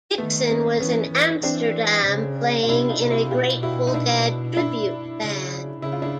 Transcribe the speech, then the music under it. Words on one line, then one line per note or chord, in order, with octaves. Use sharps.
Dixon was in Amsterdam playing in a Grateful Dead tribute band.
D#3 A3 B3
B3 C#4
E3 B3 C#4
E3
E3 C4 D4
C#3
F4
C3 D4 E4
D#4 F4
C3
E4 F#4
B2 F4 G4
E4 F#4
D#4
D4 E4
D4 E4
C#3
C#3 E4
F4
D4 E4